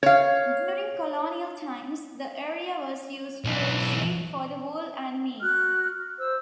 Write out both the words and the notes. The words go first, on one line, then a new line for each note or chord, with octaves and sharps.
During colonial times the area was used to raise sheep for wool and meat.
C#5 F5
B1 E3
F#4 F6 F#6
C5 E6